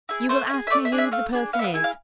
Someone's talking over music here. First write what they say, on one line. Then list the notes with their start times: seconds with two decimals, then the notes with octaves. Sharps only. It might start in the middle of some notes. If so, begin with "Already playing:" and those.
You will ask me who the person is.
0.09 E4 G#4
0.29 A3 C5
0.50 E4
0.53 G#4
0.67 E5
0.70 A3 D5
0.85 E5
0.92 D4 G#4
0.98 E5
1.12 A3 F5
1.33 D4 G#4
1.53 B3 F5
1.59 E5
1.64 F5
1.74 E4 G#4 G#5
1.84 F5